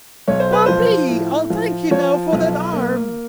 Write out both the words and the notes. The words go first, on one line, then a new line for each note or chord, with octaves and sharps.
Pompey, I'll thank you now for that arm.
B1 C#5
C5
B4
F3 C5
A2
F3
F3 C#5
B1
A#3